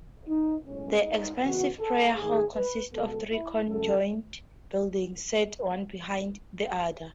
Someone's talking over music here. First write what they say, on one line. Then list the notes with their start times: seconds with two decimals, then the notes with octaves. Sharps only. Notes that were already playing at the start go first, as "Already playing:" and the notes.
The expansive prayer hall consists of three conjoined buildings, set one behind the other.
0.28 D#4
0.66 B1 A2 G#3 C#4
1.04 D#4
1.41 E2 C#3 E3 B3 F#4
1.79 A4
2.16 G#2 D#3 A3 G#4
2.54 B4
2.92 C#2 B2 G#3 B3 A4
3.30 E4
3.67 F#2 C#3 F#3 A3 A4